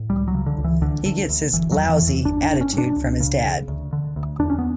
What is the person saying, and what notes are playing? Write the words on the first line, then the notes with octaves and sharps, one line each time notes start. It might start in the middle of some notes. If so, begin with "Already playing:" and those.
He gets his "lousy" attitude from his dad.
Already playing: A2
C#2 G3
F#3
C#3
D3
C#2
E3
D2 D3
D2 D3
D2
F#1 E3
F#3
E2
E3
E2
E3
G1 D4
D4
G1
C#4
G2
D4
C#2
C#3
C#3
D2
D3
D2
E2 D4
C#4
B3